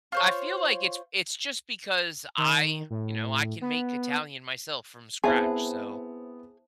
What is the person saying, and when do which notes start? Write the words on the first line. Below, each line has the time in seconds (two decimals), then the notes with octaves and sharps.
I feel like it's it's just because I, you know, I can make Italian myself from scratch. So
0.12 F4 C5 C#5
2.38 D#3
2.90 A2
3.61 B3
5.24 B3 C4 E4 G#4 C5 E5 A5